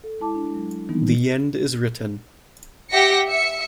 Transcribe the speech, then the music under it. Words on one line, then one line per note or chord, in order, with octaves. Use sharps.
The End Is Written.
A4
G#3 E4 A5 D6
D4
F#3 G#3
D#3 E3 G3 B3 C4 D#4
G4 E5 F#5 A#6 B6 C#7
E5 C#7